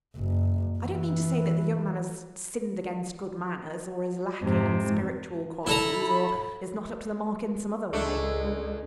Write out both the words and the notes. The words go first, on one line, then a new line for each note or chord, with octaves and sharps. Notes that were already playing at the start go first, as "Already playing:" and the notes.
I don't mean to say that the young man has sinned against good manners, or is lacking in spiritual qualities, or is not up to the mark in some other way.
F#1
E3
F2 G#2 C3
E4 A4 A#5 B5
C#2 G#3 A3 D4